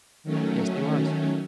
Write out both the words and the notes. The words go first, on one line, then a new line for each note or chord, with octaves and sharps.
Yes, he was.
D#3 F#3 A3 C#4